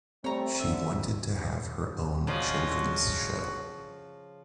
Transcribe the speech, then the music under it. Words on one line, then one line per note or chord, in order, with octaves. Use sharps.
She wanted to have her own children’s show.
G3 A3 C4 C#5 A#5
D3 E5
C#3 F3 F#4 D5 D#5